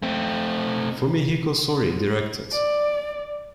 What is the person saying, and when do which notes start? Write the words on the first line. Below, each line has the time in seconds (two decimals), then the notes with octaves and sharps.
Fumihiko Sori directed.
0.02 A3 C4
2.52 D5